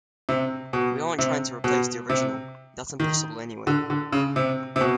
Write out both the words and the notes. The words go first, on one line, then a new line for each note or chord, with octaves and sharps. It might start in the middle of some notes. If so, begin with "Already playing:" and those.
We aren't trying to replace the original; that's impossible anyway.
C3
B2
C3
B2
C3
D#3
D3
D3
C#3
C3
C3
B2